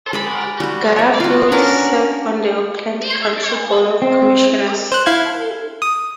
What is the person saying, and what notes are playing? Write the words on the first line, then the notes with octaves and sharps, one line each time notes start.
Garfield served on the Oakland County Board of Commissioners.
G#3 D5 B5
G3 F#4
D5
F4 F#4
C#4 D4 A#4 F#5
C4
C5 F#6
E4 F5 G#6
D#6